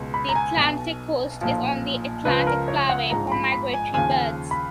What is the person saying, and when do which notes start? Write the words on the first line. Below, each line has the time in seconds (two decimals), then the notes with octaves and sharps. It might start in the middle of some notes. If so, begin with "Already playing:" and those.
The Atlantic coast is on the Atlantic Flyway for migratory birds.
Already playing: C#2 B2
0.14 B5
0.29 A#5
0.35 G#5
0.57 B1 B2
1.41 B1 A#2 F3
2.25 C#2 C#3 F3 B4
2.47 A#4
2.68 C#5
2.89 F#5
3.10 A#1 G#2 F3 A#5
3.32 B5
3.52 B5
3.73 G#5
3.94 D#2 C#3 F3 G#5
4.51 B5